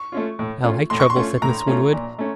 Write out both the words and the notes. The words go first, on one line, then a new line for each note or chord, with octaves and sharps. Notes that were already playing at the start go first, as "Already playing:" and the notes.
"I like trouble," said Miss Winwood.
Already playing: C#6
A3 C#4 F4
A2
A3 C#4 F4
A2 C6
C#6
C6
A3 C#4 F4
A2 A#5
A3 C#4 F4
A#2
A3 C#4